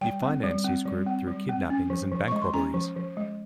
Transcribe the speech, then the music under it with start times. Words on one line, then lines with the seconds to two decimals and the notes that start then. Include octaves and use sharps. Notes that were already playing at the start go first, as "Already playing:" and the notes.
He financed his group through kidnappings and bank robberies.
0.01 G3 G5
0.22 C4
0.44 G3
0.64 C4
0.86 G3
1.06 C4
1.27 G3
1.49 C4
1.70 C#4
1.90 F3
2.12 F3
2.28 G#3 C#6
2.42 C6
2.53 C#4 A#5
2.74 F3
2.96 F3
3.17 G#3